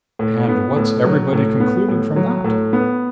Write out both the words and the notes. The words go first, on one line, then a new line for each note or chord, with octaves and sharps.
"And what's everybody concluded from that?"
A2
B3
A2
F#3
A2
B3
A2
F#3
A2
B3